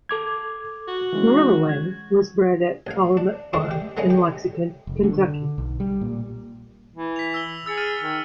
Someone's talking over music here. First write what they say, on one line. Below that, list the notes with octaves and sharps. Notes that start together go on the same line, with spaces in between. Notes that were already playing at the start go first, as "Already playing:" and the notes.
Whirlaway was bred at Calumet Farm in Lexington, Kentucky.
A4 D6 G#6
F#4
E3 G#3 C#4
G#6
A1 F5
D4
G2 D3 G#3 A3 C4 D4
G4
D3 E3 G#3 B3 C#4
G4
F1
D3
B1
G3
A#2
E3
B6 F7
E6 G7
G#4 E6 A6 C#7
F6 A6 D#7
D#3